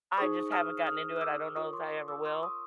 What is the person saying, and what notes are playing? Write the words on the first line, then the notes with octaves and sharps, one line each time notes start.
I just haven't gotten into it, I don't know if I ever will.
D#4 G#4 C5 C#6 D#6
D#6 F6
D#6 F6
F6
D6 E6
F4 A#4 C#5 C#6 D#6
C6 D6
D6 E6
C6 D6
C#6 D#6